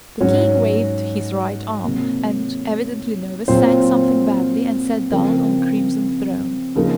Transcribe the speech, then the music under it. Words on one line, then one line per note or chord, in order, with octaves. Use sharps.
The king waved his right arm and, evidently nervous, sang something badly and sat down on a crimson throne.
G#2 F#3 C#4 F#4 C#5
C3 F#3 A#3
A#2 F#3 C4 F4 C5
C#3 F3 C4 F4 A#4
C#3 F3 A#3 D#4 A#4